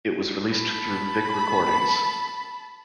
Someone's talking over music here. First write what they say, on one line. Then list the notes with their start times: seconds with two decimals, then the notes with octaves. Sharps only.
It was released through Vik Recordings.
0.52 A5 B5